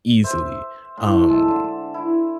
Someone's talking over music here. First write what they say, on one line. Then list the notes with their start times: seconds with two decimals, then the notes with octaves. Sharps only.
easily, um,
0.24 C5 E5
0.97 A2
1.29 G#3 E5 A5
1.49 D3
1.94 E4